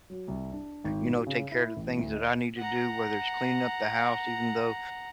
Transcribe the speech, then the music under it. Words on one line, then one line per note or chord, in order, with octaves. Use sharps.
you know, take care of the things that I need to do, whether it's cleaning up the house, even though
F#3
C2
D4
G#1
F#4
C#3
E4
A1
D2
D#5
F#5 A#5